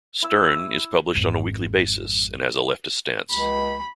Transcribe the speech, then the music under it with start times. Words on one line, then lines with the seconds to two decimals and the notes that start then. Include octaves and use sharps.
"Stern" is published on a weekly basis and has a leftist stance.
0.22 E4 E6
1.15 G#1 F2
3.31 C#2 B5